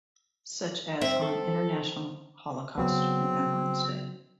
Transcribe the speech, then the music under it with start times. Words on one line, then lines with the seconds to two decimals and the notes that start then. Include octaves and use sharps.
Such as on International Holocaust Remembrance Day.
1.01 C4 E5
1.22 A4
2.78 C#3 F#3 B3 C4